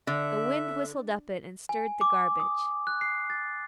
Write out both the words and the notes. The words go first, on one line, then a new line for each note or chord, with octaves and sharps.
The wind whistled up it and stirred the garbage.
D3 E5
G#5
D6
D#6
F#6
C7
A6